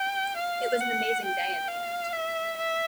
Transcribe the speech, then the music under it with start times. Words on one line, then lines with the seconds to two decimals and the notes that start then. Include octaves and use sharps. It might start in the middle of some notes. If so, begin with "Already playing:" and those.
It was an amazing day in the end.
Already playing: G5
0.36 F5
0.80 F#5
1.25 G5
1.68 F5
2.13 E5
2.57 E5